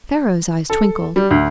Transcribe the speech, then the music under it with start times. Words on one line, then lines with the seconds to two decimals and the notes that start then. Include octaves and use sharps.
Pharaoh's eyes twinkled.
0.70 A4
1.16 G3
1.31 D2